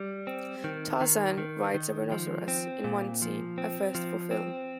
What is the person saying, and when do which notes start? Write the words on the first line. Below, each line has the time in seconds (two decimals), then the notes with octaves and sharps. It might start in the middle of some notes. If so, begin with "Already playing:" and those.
Tarzan rides a rhinoceros in one scene - a first for film.
Already playing: G3
0.27 C4
0.64 D#3
1.01 D#3
1.38 D#3
1.74 D#3
2.12 F3
2.48 C4
2.84 A#2
3.22 F3
3.58 C4
3.95 F3
4.31 C4